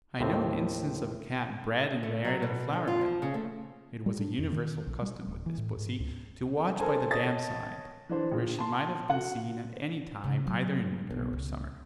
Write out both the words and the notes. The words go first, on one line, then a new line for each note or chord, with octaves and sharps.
I know an instance of a cat bred and reared at a flour mill: it was a universal custom with this pussy to watch by the dam-side, where she might have been seen at any time either in winter or summer.
D#2 A2 C4
A3
F#3
B2
D3
F4
F3
C#3
A3
G3
D4
F2
D#3
A#1
G3
D1
E3
A2
G#2
C#2
A4 A#4 C5 G#5 A5
C#5 D#5 A5 D#6 A6 A#6
E3 D4 C5
A#1 A#2
A5 C6
F#4 F#5
C#3
F#3
B1
C#2